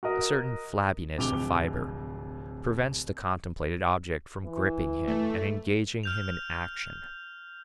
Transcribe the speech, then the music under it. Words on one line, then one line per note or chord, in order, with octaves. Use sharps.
A certain flabbiness of fiber prevents the contemplated object from gripping him and engaging him in action.
F#4 A#4 D#5
D1 F2 C3 D6 F7 G7
E3
A3
F6 G6 F7